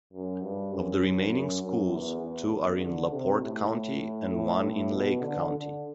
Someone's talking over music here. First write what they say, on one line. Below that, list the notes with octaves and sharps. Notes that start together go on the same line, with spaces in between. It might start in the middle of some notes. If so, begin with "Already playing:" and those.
Of the remaining schools, two are in LaPorte County and one in Lake County.
F#2
G2
F#2
F#2
F#2
E2
E2
E2
D3
C3
A2
A2
A2
B2
D3
D3